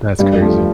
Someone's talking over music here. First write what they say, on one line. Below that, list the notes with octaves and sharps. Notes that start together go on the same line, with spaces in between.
That's crazy.
G2 G3
G3
F3 A3